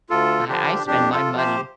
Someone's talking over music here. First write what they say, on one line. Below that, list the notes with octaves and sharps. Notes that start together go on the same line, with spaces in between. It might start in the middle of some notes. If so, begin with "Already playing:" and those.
I I spend my money
D2 F4 A4
D3 F3 D4 G4
F2 D4 G4
F4 A4
C3 F3
G4 C5